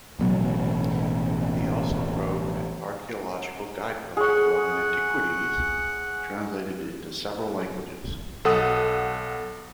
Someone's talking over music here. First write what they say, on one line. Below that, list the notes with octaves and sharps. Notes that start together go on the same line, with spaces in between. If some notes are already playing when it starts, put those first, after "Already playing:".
He also wrote an archeological guide book to Roman antiquities, translated into several languages.
A1 B2 F#3
G#4 C#5 F#5
B1 A4 F#5 D#6